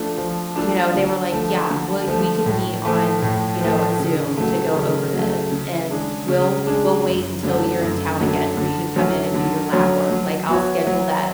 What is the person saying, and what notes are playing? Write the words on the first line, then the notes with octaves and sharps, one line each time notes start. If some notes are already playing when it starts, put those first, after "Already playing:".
you know, they were like, "Yeah. We we can meet on, you know, Zoom to go over this, and we'll we'll wait until you're in town again for you to come in and do your lab work, like, I'll schedule that
Already playing: F3 A3 D4 F4 A4
F3
A3 D4 F4 A4
D3
F3 A3
D3
F3 A3
A2
F3 A3
A2
F3 A3
C#3
F#3 A3
C#3
F#3
A3
C#3
G#3 D4 G#4
C#3
G#3 D4 G#4
F#2
D3 F#3 A3
F#2
D3 F#3 A3
D3
F#3 C#4
D3
F#3 C#4
F#3
B3 F#4 C#5
F#3